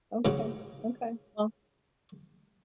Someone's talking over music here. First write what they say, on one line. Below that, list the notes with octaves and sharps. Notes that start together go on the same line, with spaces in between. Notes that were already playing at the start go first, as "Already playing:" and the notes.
Okay, okay, well
G#2 C#3 F#3